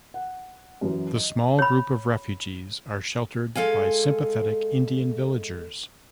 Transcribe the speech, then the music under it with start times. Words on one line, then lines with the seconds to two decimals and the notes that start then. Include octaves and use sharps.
The small group of refugees are sheltered by sympathetic Indian villagers.
0.14 F#5
0.81 F#2 E3 F#3
1.15 D#5
1.59 C#5 B5
3.56 G#3 A4 F5 G#5